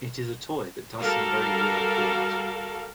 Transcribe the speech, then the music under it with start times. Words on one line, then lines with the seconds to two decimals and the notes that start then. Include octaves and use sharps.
It is a toy that does some very weird things.
1.00 G3 F#4 A4 A#4 F5